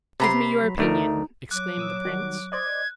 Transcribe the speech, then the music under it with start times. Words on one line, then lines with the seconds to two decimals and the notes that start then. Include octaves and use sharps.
"Give me your opinion," exclaimed the prince.
0.20 C3 B4 A#5 C6
0.61 F#3
0.78 D2 A3 D#4 A#4
1.51 F#3 D6 F#6
1.77 A#2 D#6 E6
2.05 D#3 G3 F#4
2.52 C5 D5 D#5 G#6